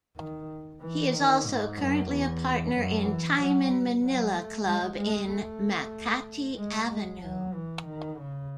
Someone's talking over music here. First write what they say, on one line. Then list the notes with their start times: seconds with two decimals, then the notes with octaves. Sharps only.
He is also currently a partner in "Time in Manila" club in Makati Avenue.
0.17 D#3
0.81 E3
1.13 D#3
1.45 G#2
1.77 F#2
2.09 E2
2.73 F#2
3.05 E3
3.37 F#3
4.01 F#3
4.33 A3
4.65 G#3
4.97 G#3
5.29 A3
6.57 G#3
6.89 G#3
7.21 F#3
7.53 E3
7.86 D#3
8.17 C#3